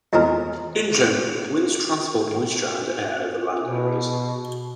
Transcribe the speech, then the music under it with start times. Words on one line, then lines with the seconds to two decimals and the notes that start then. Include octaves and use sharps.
In general, winds transport moisture and air over land areas.
0.13 E2 G#3 C4 G#4 A#4
3.62 B2